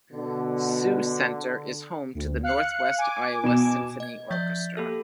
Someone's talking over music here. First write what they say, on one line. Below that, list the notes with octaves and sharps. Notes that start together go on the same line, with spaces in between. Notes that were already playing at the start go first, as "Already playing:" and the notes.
Sioux Center is home to the Northwest Iowa Symphony Orchestra.
B2 D3
D2
F5 F#6 C#7
G#5 D6
B2 E7
D#5 G#6
F3 D5 E5 G6 A6
A#3 G4 A4